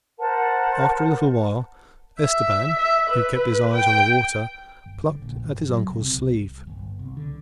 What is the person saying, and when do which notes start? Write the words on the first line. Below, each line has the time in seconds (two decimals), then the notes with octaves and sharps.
After a little while, Esteban, who kept his eyes on the water, plucked at his uncle's sleeve.
0.18 A#4 C5 F#5 A5
2.21 E5
2.79 E5
3.10 B4
3.74 G5
4.86 G1
5.03 D3
5.22 A#1
5.43 G1
5.69 F#3
5.88 C2
6.01 C3
6.18 C2
6.67 G1
6.99 C2
7.17 D3